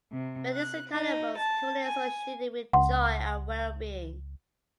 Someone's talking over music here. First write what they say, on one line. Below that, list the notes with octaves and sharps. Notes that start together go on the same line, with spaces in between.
Red is the color most commonly associated with joy and well being.
C3
F#6
D#4
A5
G#5
C#2 F#5 C6